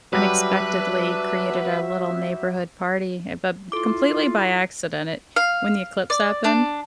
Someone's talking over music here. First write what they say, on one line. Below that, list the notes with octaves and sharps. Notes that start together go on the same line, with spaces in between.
unexpectedly created our little neighborhood party, ha but completely by accident, it When the eclipse happened
F#3 G3 D4 F#4 B4 E5
E4 F4 A4 D6
F5
D5
D4